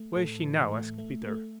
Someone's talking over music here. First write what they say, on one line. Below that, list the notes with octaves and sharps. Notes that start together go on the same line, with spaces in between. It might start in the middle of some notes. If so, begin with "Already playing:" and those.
"Where is she now?" asked Peter.
Already playing: A3
A2 A4
E3
A3
A3
A3